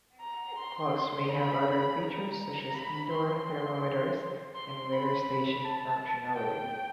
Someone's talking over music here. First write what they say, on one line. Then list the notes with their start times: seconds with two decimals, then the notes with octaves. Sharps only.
Clocks may have other features such as indoor thermometers and weather station functionality.
0.20 A#5
0.57 C6
1.29 B5
2.02 A#5
2.74 B5
3.10 C6
4.55 C6
4.92 B5
5.65 A5
6.37 G5